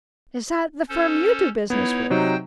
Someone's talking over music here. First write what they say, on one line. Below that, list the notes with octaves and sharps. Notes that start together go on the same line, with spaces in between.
"Is that the firm you do business with?"
C#4 A4 C5
B3 D#4 E4 C#5
C3 F#3 D#4 C5 G5